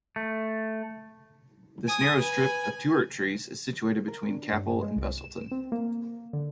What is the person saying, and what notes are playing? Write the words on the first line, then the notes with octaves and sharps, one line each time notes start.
This narrow strip of tuart trees is situated between Capel and Busselton.
A3
G#5 D#6
B4 G#5
A#4
D4
G2
G#3
C2
E7
C4
A#3
D3